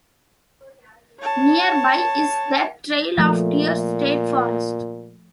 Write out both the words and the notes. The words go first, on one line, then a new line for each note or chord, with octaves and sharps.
Nearby is the Trail of Tears State Forest.
C#5 A5
A#2 F3 A3